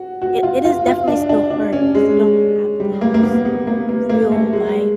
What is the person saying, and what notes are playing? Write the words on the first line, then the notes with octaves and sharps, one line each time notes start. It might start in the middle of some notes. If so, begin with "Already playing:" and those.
it it is definitely still hard 'cause you don't have those real-life
Already playing: F#4
F#4
F4
F4
F4
D4
D4
D4
C#4
G#3
G3
A#3
A#3
B3
B3
A#3
A#3
A#3
A3
G#3